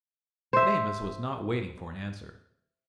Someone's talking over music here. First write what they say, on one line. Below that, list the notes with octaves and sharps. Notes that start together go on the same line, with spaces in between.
But Amos was not waiting for an answer.
C5 E5